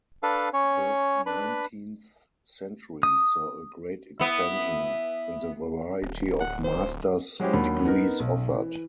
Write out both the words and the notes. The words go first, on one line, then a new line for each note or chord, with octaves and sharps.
The nineteenth century saw a great expansion in the variety of master's degrees offered.
D4 A4 B4 F5
C#4 C#5
D4 B4 B5
D#6
B3 E4
D1
F#5
C5
F#3 G#3 C#4 E4 G4 C5
D#2 F#3 D4 B5
B3 D#4 A#4
B1
E3